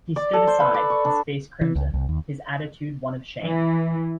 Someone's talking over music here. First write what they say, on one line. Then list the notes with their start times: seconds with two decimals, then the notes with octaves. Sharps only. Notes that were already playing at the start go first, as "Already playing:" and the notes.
He stood aside, his face crimson, his attitude one of shame.
0.16 D5
0.33 A4
0.47 C5
0.60 B4
0.74 D5
0.90 C#6
1.05 D4
1.61 E3
1.75 C#2
1.94 C2
2.09 D#2
3.43 E3